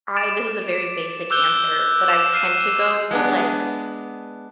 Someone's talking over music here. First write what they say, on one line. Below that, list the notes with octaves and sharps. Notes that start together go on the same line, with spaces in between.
I this is a very basic answer, but I tend to go to, like,
D6 A6 D7 E7
E7
D6 E6 F#6 G6 G7
D6 E7
F6 C7 D#7 E7
G#3 B3 D4